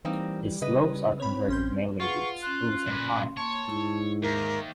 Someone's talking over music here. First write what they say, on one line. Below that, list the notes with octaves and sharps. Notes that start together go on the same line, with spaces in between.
The slopes are covered mainly with spruce and pine.
E3 G3 A#3 C4 D#4
C#3 B4 D#5
C4 C#5 B5
A1 C#4 C6 G6
F4 G#4 B4 F#5 C#6
C#4 C6 F#6
A#2 B4
A#3 C#5 A5 C6 C#6
G#2 E4
D#2 A#4 E5